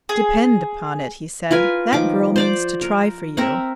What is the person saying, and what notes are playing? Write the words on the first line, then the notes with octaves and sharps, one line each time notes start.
"Depend upon it," he said, "that girl means to try for you."
G#4
F4 A#4 B4 G#5
D#3 F3 D6
C5 D5 D6
A#4
C4 A#4 E5 F#5